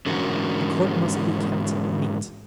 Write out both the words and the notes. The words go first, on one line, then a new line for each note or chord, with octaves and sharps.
The court must be kept neat.
G#2 D3 E3 C#4 F#4 A#4